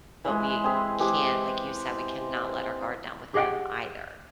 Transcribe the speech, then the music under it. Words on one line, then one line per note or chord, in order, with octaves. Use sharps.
"But we can't," like you said, "we cannot let our guard down with him either"
E3 G#3
C4 E4 G#4 B5
E3 G#3 G4 C5
G4 G#4 D#5 F#5 G5